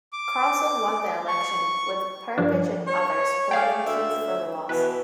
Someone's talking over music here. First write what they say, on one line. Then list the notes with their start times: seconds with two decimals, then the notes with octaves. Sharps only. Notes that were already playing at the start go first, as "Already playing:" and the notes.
Carlson won the election, with Perpich and others blaming Keith for the loss.
0.13 D6
1.28 C#6
2.38 G2 F3 D4
2.88 C#5
3.51 A3 G#4 D5 F5 G5
3.87 D2 E5
4.69 B2 E3 B4